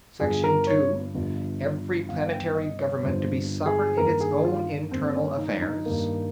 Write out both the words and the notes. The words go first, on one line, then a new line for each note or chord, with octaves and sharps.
Section Two: Every planetary government to be sovereign in its own internal affairs....
G1 G2 F3 G#4
A#4
C#5
G1 G2 F3
G1 G2 F3 F5
G5
D#5
C#5
G1 G2 F3 C5
G#4
G2 D#3 A#3 A#4
G#4
F4
G2 D#3 A#3 C4
C#4
D#4
D#4
G2 D#3 A#3